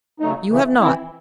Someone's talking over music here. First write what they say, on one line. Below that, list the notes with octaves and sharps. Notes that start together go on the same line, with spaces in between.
You have not.
C#3 F#3 A3 D#4
C#3 E3 A3
E3 C4 E4